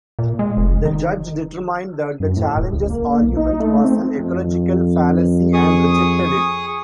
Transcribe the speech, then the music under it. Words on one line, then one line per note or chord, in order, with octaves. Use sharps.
The judge determined that the challengers' argument was an ecological fallacy and rejected it.
A#2
G#3
F1
D#3
F#2
A2
D1
C#2
A#3
B1
D#4
A3
C4
F2
G#4 C#6 D#6